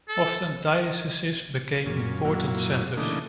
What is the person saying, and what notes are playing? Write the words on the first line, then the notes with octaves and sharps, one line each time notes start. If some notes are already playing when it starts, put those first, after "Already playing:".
Often dioceses became important centres.
A4
F#2 A#2 C#4
F#2 A#2 F#3 A#3 E4
C#3 E3 A3 A#3 D4 D#4